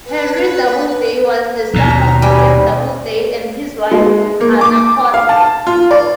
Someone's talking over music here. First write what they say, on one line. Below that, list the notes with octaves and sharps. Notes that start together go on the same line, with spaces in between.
Henry Doubleday was the son of William Doubleday and his wife Hannah Corder.
B4
D#2 B2 A#5
G3 G#5
G#3
A#3
D6
F5
A5
F4
D5